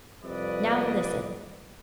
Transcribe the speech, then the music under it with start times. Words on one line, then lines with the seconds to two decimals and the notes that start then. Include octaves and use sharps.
Now, listen.
0.24 C2 F2 G3 B4 D5 D#5